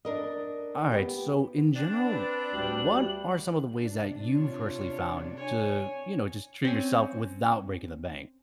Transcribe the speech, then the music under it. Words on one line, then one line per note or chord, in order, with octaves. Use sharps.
Alright, so in general, what are some of the ways that you've personally found to, you know, just treat yourself without breaking the bank?
D4 A#4 D#5
B3 G4
C4 D4 A6
B4
D2 G3 F#7
C3 D4
F4 C#5
C#5 G#5
C4 C#4